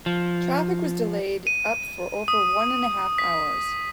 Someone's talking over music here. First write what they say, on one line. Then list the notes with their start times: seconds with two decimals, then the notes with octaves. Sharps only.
Traffic was delayed up for over one and a half hours.
0.06 F3
1.47 D#7
2.28 D#6
3.18 B6